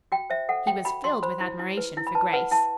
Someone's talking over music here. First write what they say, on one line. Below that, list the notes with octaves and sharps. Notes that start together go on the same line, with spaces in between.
He was filled with admiration for Grace.
F#4 G5
C5 E5
A4 F#5
F#4 G5
F#4 B5
F#4 C6
C5 B5
E4
E4
B4
E4
B5
B4 A5
B4 F#5
E4 A5